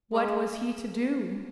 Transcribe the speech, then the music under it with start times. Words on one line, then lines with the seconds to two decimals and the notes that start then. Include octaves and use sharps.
What was he to do?
0.13 G#3